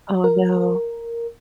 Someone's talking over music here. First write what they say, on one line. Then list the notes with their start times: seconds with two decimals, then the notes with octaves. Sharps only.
Oh, no.
0.24 A#4